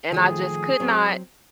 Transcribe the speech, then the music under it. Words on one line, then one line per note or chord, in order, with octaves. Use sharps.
And I just could not
D#3 F3 A3 G#4
F#3 C4